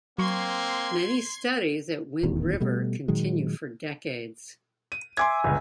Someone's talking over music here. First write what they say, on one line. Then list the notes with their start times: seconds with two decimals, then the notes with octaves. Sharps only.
Many studies at Wind River continue for decades.
0.18 F#3 A#3 C4 C6 C#6 G#6
2.23 D#1 A1 E2 D#3
2.60 B2 G3 A3
3.08 A#2 D#3 F#3 G#3
4.92 D#7
5.17 E5 G#5 C6 D6 G#6
5.44 G1 C#2